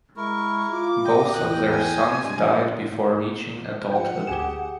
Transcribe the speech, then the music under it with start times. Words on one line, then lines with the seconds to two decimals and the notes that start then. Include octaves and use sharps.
Both of their sons died before reaching adulthood.
0.16 G#3 E4 A#4 C#6
0.71 F4 D6
1.04 D#5 G5
1.33 E2 F#6
1.71 G#5
2.23 G2 G#3
3.92 F3 F#5 G5
4.27 D2 G4 G#4 G#5 E7